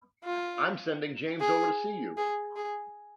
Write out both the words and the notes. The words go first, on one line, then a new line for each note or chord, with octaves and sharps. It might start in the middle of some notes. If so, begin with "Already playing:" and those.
I'm sending James over to see you.
F4
G#4
G#4
G#4